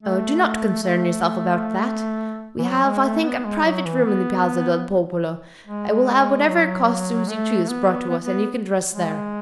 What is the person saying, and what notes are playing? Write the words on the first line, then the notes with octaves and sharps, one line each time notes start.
"Do not concern yourself about that; we have, I think, a private room in the Piazza del Popolo; I will have whatever costumes you choose brought to us, and you can dress there."
A3
A3
E3
F#3
G#3
A3
B3
G#3
F#3
E3
B3
G#3
F#3
A3
A3
B3
B3
B3
G#3